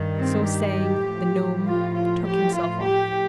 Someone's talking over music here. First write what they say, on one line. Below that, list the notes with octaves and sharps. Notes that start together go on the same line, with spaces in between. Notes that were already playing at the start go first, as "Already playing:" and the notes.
So saying the gnome took himself off.
Already playing: G2 D#3
C4
G4
A2 F3
F4
F4
G4
F4
G4